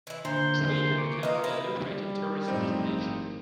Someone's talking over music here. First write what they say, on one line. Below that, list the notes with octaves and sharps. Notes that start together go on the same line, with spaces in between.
Treen had become a lucrative tourist destination.
E3 E4
A#2 D3 C5 C6 G6
C#6 D6
A#3 F4 B4 D#5 F5
E4
G3
F#2 A2 F3 C4 D#4
G#1